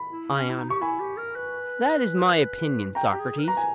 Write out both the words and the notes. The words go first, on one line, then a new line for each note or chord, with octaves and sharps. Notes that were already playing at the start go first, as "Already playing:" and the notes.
ION: That is my opinion, Socrates.
Already playing: B5
E4
C#4
E4
D#4
G4 C#6
E4 G#5 B5
G4
A#4
B4
B4
G5 A#5
G4
G#4
A#4
B4 A#5
G#5